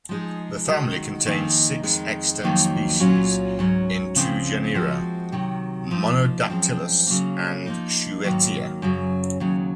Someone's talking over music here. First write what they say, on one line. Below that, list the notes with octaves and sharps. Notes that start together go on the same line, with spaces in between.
The family contains six extant species in two genera, "Monodactylus" and "Schuettea".
F3 G#3 D#4 G#4
D#3 G#3 D#4 F#4
F2 D#3 A#3 D#4 G#4
F2 D#3 G#3
F2 D#3 F#3 A#3 D#4
A#2 F#3 C#4 F4
G#2 F#3 C#4
C#3 F3 C4
F3 G#3 C4 F#4
C3 D#3 F#3
F3 A#3 D#4
F#2 F3 G#3 C4
C#3 F#3 A#3
F3 A#3 D#4
G#2 D#3 F#3 A#3
F#2 C#3 F#3
D#2 C#3 F#3